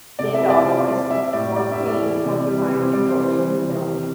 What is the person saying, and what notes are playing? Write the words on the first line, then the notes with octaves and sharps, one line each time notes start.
Dindal voiced Morkubine Porcupine and Coach in the film.
C3 D5
E4 E5
G3
D5
C3 C5
G3 D5
G3 E4 E5
A2 D5
G3 D5
E4 E5
G3
D5
E3
C3
G3
C3
C5
G3 D5
C5
E3
C5
E3
C3
G3